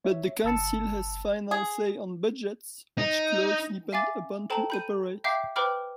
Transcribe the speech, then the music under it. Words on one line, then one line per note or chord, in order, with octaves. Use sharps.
But the council has final say on budgets which clerks depend upon to operate.
C#5 E5
G1 A5 E6 A6 C#7
G#4
D#4
E5 F5 G#5 D6 A6
A4 C5 G5 A5 A#5
B5 G6 D#7
E5 F5 G5 D6 G6 C7
B4 C5 G5 B5 D6 F6